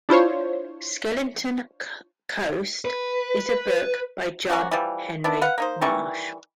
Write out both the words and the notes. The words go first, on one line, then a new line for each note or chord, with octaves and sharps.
"Skeleton Coast" is a book by John Henry Marsh.
D4 E4 F4 C5 C#5
B4
A#3 C#4 D4 F#4
E3 F3 G3
B3 D4 E4
B4 F5 F#5
A#3 D#4 C5
D#3 E3 G3 C#6